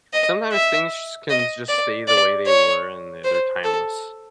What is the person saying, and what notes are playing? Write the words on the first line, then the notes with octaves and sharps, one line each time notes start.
Sometimes things sh can just stay the way they were and th they're timeless,
D#5
E5
D#5
D5
D5
C#5
C5
A4